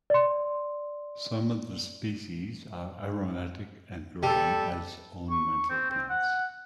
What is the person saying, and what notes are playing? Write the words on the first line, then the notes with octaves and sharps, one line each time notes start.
Some of the species are aromatic and grown as ornamental plants.
D5 C6
G3 A4
C#6
C4
C4
F#5